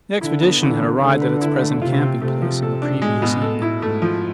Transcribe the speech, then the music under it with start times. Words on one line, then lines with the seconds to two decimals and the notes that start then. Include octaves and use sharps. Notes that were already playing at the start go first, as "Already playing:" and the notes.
The expedition had arrived at its present camping place on the previous evening.
0.21 D3 E4
0.41 B3
0.62 D3 E3
0.81 C3
1.01 D3 A3
1.21 B4
1.41 E4
1.61 A3
1.82 C3 F4
2.01 C4
2.22 C3 A3
2.42 F3
2.62 A4
2.82 D4
3.02 A2 G#3
3.22 B2
3.42 A4
3.62 E4
3.82 G#2 A3
4.02 F3